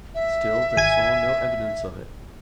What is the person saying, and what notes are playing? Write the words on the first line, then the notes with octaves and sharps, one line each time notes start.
Still they saw no evidence of it.
E5
G#1 G#5 G#6